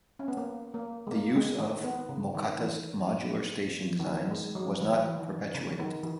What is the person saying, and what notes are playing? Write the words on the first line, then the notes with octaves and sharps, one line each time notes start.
The use of Mocatta's modular station designs was not perpetuated.
C#4
B3
A#3
A#3
G#3
A#3
G#3
D#3
B3
C#3
D#3
E3
D#3
E3
G#3
F#3
E3
E3
D#3
C#3
D#3
E3